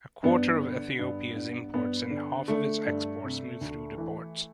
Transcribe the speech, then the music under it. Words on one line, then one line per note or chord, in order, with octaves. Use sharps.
A quarter of Ethiopia’s imports and half of its exports move through the ports.
G2 B3
D3
G2
G2
G2 B3
D3
D3 A3
G2
C3
D2
E3